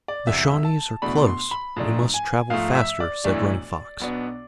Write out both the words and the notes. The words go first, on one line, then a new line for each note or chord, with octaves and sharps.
"The Shawnees are close, we must travel faster," said Running Fox.
D5
E1 E2 C3 E5
A5
E2 B2 A3 D4 B5
C6
B5
G#2 F3 A3 D4
G#5
G#2 F3 A3 F5
E5
D5
B1 A2 E3 A3 D4
B1 B2 B3 D4